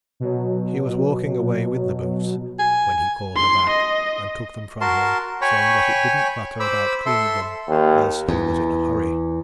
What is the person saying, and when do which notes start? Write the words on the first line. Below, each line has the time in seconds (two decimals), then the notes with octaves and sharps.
She was walking away with the boots, when he called her back and took them from her, saying that it didn't matter about cleaning them, as he was in a hurry.
0.20 B2 F#3
2.59 G#5
3.36 C6
3.70 D#5
4.81 F#4 A#4 A5 C6
5.41 C#5 G5 G#5 B5 C#6
6.60 C5 B5 D6 E6
7.06 A4 E5 C6
7.69 D#2
8.29 E2